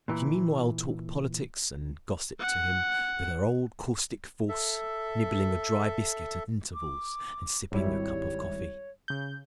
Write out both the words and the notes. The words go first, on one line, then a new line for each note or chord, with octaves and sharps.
She meanwhile talked politics and gossip to him, with her old, caustic force, nibbling a dry biscuit at intervals and sipping a cup of coffee.
A#2 E3
F#5
A4 E5
D6
G#1 G3 E4 C#5
C#3 G6